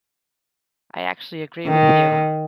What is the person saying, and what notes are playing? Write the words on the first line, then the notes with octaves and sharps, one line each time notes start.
I actually agree with you.
D#3